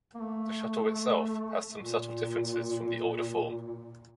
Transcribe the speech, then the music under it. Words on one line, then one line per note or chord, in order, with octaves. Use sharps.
The shuttle itself has some subtle differences from the older form.
A#3
A3
A#2